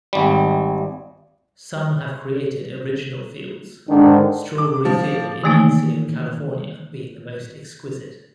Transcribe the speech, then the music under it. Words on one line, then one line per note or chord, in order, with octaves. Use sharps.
Some have created original fields, Strawberry Field in Encino, California being the most exquisite.
G#1 G3
G#2 D3 D#3 D4
D6
F3
D#3 E3 A3 A#3 D#4